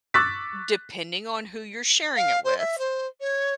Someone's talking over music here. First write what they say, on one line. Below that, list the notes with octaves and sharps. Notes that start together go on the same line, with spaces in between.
depending on who you're sharing it with,
C#6 D6 E6 F#6 A6 B6
F5
C5
E5
C5
C#5